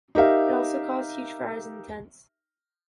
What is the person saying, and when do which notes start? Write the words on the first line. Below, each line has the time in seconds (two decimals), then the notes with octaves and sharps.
It also caused huge fires in the tents.
0.15 D#4 G4 A#4 E5 F5